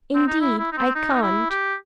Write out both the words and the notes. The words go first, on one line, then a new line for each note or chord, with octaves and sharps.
'Indeed, I can't.
C4
D#4
E4
E4
D#4
C4
D#4
D#4
E4
G4